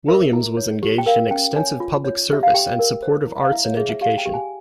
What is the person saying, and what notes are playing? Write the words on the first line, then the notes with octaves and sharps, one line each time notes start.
Williams was engaged in extensive public service and support of arts and education.
A#4 E5
E4
C#5
G4
G5
A#4 F5
C#4 G5
C#5 G#5
F4
C#5
G4 E5
F5
G4 G5
A#4
C5
E4
F5
E4 E5
C#5
G#4 E5
E5
G4 F5
G5
G4
G#5